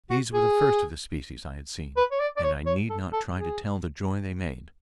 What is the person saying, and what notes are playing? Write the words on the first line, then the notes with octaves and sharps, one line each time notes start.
These were the first of the species I had seen, and I need not try to tell the joy they made.
F#4
G#4
B4
C#5
D5
D5
C#5
C#5
A4
A4
G#4